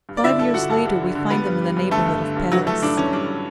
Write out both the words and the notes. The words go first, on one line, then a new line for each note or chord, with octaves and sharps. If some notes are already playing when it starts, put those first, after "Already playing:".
Five years later we find them in the neighbourhood of Paris.
G2
D5
D3 E4 E5
G2 A4 A5
D3 F#4 F#5
G2 A4 A5
G2
D3
D3
G3 B3 B4
G2
G3
G2
D3 A3 A4
G2
D3
G2
E3 F#3 F#4
E3 A3 A4
G2 D4
E3 C#4
G3 D4